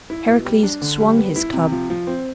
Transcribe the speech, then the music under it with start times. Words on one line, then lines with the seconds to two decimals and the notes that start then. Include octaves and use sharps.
Heracles swung his club.
0.10 E4
0.27 B2
0.45 G3
0.63 D4
0.82 D3
1.00 G3
1.17 B3
1.36 E4
1.53 C3
1.72 F3
1.90 F3
2.07 C4